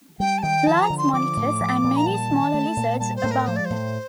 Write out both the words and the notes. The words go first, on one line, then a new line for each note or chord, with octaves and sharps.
Large monitors and many smaller lizards abound.
G3 G5
A5
D#3 G5
F3 A5
A#5
D3
C6
F3 D6
A2
F3
A#2
A#5
G3 A5
D#3
A3
A#2
G3 A5
C5
A2
A#4
F3 C5
D5
A2 C5